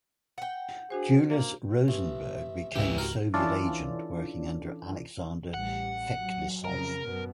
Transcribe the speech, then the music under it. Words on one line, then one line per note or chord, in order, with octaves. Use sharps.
Julius Rosenberg became a Soviet agent working under Alexander Feklissov.
F#5 G5
D4 F#4 G#4 C5
A#3
A1 E5
C#2 G#2 C#3 E3 E4 G4
F#4 A#4
E3 C#4 D4 F4 A4 D5
A1 G3 F#5
F#3
F2 C#3 A#4
F#2 B2